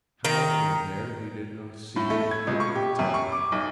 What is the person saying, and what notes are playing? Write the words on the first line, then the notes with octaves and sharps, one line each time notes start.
How or where he did not see, he could not tell.
D#3 A#5
A2
A3
G#6
C#2
C#6
G4
F#2
C#6
D6
B1